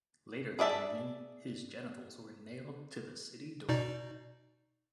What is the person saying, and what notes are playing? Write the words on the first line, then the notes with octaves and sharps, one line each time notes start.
Later that evening, his genitals were nailed to the city door.
G#4 D5 E5 A5
B2 D#4 D5